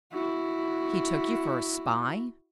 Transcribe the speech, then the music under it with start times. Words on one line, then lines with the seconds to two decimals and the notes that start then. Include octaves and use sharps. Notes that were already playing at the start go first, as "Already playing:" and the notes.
"He took you for a spy?"
0.13 E4 F#4